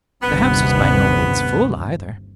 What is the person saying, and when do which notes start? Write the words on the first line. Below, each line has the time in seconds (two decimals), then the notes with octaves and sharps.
The house was by no means full, either.
0.22 G1 D#2 C3 B3